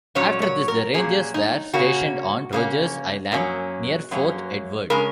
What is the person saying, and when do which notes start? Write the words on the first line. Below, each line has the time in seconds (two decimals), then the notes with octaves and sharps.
After this, the Rangers were stationed on Rogers Island near Fort Edward.
0.15 A#2 F#3 A#3 C#4 C#5
0.42 C#5
0.68 A#4
0.94 A#2 F#3 A#3 C#4 G#4
1.34 D#4
1.73 C#3 A#3 C#4 F#4
2.53 C#3 A#3 C#4
3.32 F#2 F#3 A#3 C#4
4.11 F#2 F#3 A#3 C#4
4.90 C#3 G#3 C#4 A#4